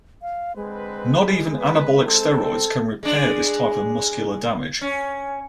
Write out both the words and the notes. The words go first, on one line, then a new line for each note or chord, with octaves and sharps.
Not even anabolic steroids can repair this type of muscular damage.
F5
D3 G#3 C4 B4
B4
C4 A4
G#3 D4
C#4